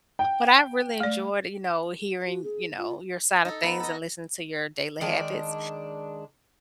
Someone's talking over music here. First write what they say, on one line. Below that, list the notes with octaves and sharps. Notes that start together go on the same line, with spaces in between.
But, I really enjoyed, you know, hearing, you know, your side a things, and listening to your daily habits,
G5
A3 D5
F#4
G#4
F4
D#4 A4
B3 A#5 B5
A4 D#5
D#3 G#3 D4